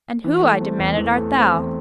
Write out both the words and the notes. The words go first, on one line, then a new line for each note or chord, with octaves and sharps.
"And who," I demanded, "art thou?"
E3
A3
C4
E2
E3
A3
C4
E2